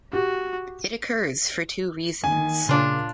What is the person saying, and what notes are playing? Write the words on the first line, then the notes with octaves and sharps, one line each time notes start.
It occurs for two reasons.
F#4 G4
D#3 A#3 G#5
A#2 C#3 A#3 D4 F4